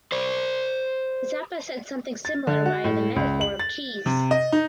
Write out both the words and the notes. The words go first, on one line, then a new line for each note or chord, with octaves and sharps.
Zappa said something similar via the metaphor of cheese.
C5 D5
A6
D3
F#4
A2
C#2
F#7
A6
C3
D#5
D#4